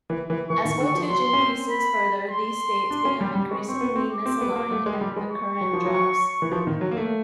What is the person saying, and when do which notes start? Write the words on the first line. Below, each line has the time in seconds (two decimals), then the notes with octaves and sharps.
As voltage increases further, these states become increasingly misaligned and the current drops.
0.10 E3
0.30 E3
0.50 E3 C#6
0.65 D#3
0.80 D3
0.95 F3
1.10 F#3 C6
1.33 C#4
1.40 C4
1.70 B5
2.30 C6
2.90 D4
3.05 C#4
3.21 G3
3.35 G3
3.51 G#3 C#6
3.69 C4
3.81 B3
3.96 C4
4.11 D6
4.26 C4
4.41 B3
4.56 A#3
4.71 A3
4.86 G#3
5.01 G3
5.16 G#3
5.31 C#6
5.61 F#3
5.73 F3
5.86 F#3
6.42 E3
6.52 F3
6.67 D#3
6.81 F#3
6.91 A#3
6.97 A3